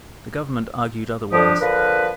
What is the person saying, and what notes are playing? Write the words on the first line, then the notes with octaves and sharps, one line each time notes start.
The Government argued otherwise.
F2 D3 F3 D4 G4 D#6
D3 F3 A#4 B4